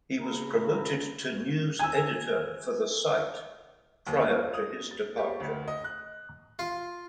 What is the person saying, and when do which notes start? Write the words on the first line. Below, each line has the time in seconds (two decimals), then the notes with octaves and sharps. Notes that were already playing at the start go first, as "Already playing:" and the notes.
He was promoted to news editor for the site prior to his departure.
0.20 C#3 G#5 A#5 B5
1.79 G#5 E6
4.07 D#2
4.29 F4
4.54 D#6
4.91 A6
5.17 G4
5.40 D2
5.68 D#5
5.84 F#6
6.59 F4